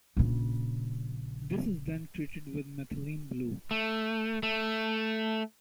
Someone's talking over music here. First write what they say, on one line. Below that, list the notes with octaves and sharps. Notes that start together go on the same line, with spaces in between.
This is then treated with methylene blue.
A#1 C#3
A3
A3